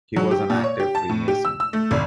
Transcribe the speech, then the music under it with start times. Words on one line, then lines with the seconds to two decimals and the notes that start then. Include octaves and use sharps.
He was an active Freemason.
0.16 F#3
0.31 G4
0.50 A#2
0.64 C#5
0.80 G4
0.95 A5
1.09 A2
1.28 G4
1.45 E6
1.60 E6
1.73 A3
1.91 G#1